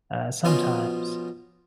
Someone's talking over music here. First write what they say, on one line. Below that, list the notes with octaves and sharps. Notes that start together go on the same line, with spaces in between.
uh, sometimes.
B2 F3 C#4 F#4 C5 G#5